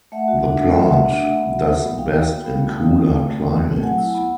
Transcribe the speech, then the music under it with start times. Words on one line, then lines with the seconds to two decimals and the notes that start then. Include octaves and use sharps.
The plant does best in cooler climates.
0.12 A3 E5 F#5
0.28 F#4
0.43 D4
0.59 A3
0.74 A3 E5 F#5
0.90 F#4
1.05 D4
1.20 A3
1.36 B3
1.51 F#4
1.67 D#4
1.82 B3
1.98 B3 F5 G5
2.14 F#4
2.29 D#4
2.44 B3
2.59 A3
2.76 D#4
2.91 C4
3.06 A3
3.21 A3
3.37 D#4
3.53 C4
3.68 A3
3.83 F#3 F#5 G#5
3.98 E4
4.15 B3